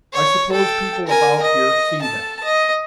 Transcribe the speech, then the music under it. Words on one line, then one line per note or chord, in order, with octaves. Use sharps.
"I suppose people about here see that."
C#5
A4 G5
A#4 G#5
D#5
A4 A5
D#5